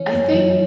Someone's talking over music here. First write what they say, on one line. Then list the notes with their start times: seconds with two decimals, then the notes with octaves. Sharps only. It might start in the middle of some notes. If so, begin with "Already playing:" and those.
I think
Already playing: E3 C#4
0.14 F#2
0.34 F#3